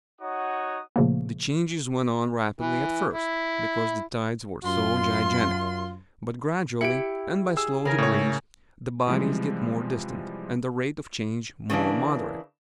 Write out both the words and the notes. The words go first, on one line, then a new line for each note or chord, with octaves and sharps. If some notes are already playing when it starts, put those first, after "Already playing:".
The changes went on rapidly at first, because the tides were so gigantic; but gradually, and by slow degrees, the bodies get more distant, and the rate of change more moderate.
D#4 F#4 C#5 F#5 D#6
A#2 C#3 F3 A3 A#3
E3
E4
F#2 F4 C6
E4 G4 C#7 D7
G#4 E6
C#3 A#4 G#5
A2 C#5
C3 E3 F3 G3 G#3
C#3 E3 A#3 D4